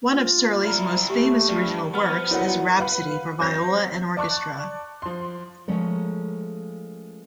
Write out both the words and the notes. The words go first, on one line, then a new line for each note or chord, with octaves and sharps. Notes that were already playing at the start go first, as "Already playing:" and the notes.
One of Serly's most famous original works is "Rhapsody for Viola and Orchestra".
D4 F4
E4 A#4 D5 B5
A3 G4
G2 D5
F3 B3 B5 F6
E4 F#4 A#4 C#5 D5 F#5
B4 F5 F#5 B5
F#3 C4 G6 A#6
D5 A5 C#6 D6 F#6
F3 C6
F3 G#3 A3 C#4 A#4